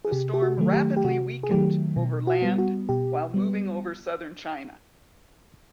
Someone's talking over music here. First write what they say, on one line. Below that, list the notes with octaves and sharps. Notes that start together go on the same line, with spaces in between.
The storm rapidly weakened over land while moving over southern China.
G#4
C3 G4
G4
F#4
D#3 F#3 A3
G4
G4
C3 F#4
G#4
D#3 F#3 A3 G4
B2
F#4
G3 B3
F#4
B2 G4
G3 B3